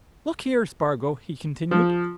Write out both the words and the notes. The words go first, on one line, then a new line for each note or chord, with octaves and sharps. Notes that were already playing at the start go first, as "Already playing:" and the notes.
"Look here, Spargo," he continued.
F3